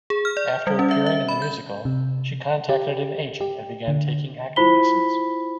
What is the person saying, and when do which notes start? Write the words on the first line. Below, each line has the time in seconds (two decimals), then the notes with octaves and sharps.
After appearing in the musical, she contacted an agent and began taking acting lessons.
0.10 G#4
0.25 F6
0.37 D5
0.67 G3
0.79 C#4
0.91 E5
1.07 E5
1.29 B5
1.42 G6
1.85 C3
2.69 G4
3.41 G4
3.88 D3
4.56 E4 F4 C5 B5 B6 G7